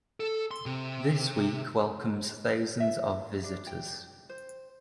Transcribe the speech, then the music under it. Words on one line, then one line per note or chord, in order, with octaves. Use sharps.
This week welcomes thousands of visitors.
A4
C6
C3
E5
D4
G5
C5